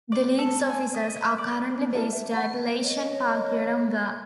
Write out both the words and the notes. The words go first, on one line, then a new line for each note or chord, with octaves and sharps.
The league's offices are currently based at Leyshon Park Yeronga.
D5
A4
G#5
D#5
E5
D5
C5
E4 A4 A#4 D5
E5
F#5 B5
C#5 D#5